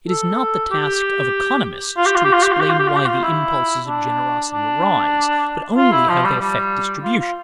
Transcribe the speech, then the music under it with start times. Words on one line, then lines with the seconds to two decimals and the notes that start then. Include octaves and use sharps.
It is not the task of economists to explain why the impulses of generosity arise, but only how they affect distribution.
0.08 A4
0.71 G4
1.97 F4
2.06 G4
2.16 F4
2.25 G4
2.33 F4
2.43 G4
2.52 F4
2.61 G4
2.70 F4
2.79 G4
2.88 F4
2.96 G4
3.06 F4
3.24 E4
3.87 D4
4.51 D4
5.77 F4
5.92 E4
6.09 F3
6.25 G3
6.40 G3
7.03 F4
7.18 F4